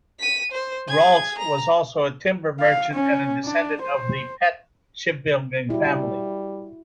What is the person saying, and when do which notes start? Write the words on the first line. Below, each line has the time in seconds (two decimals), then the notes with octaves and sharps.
Rolt was also a timber merchant and a descendant of the Pett shipbuilding family.
0.20 B6 D#7
0.52 C5
0.89 G#4 G#6
1.39 A#5
2.60 F5
2.93 C#4
3.45 D4
3.82 C5
5.70 G3 E4 F#4